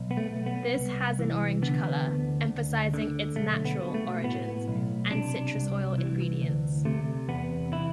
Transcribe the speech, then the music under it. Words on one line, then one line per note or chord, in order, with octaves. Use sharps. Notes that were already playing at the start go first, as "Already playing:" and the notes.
This has an orange colour, emphasising its "natural" origins and citrus oil ingredients.
Already playing: B1
B3
A3
B1
B3
C2
E3
D3 B3
D2
D2
D3
B1 A3
B3
B2
A3
A2 B3
B1
C3 D4
C2
E3
D2
C3 A3
E2 B3
E3 E4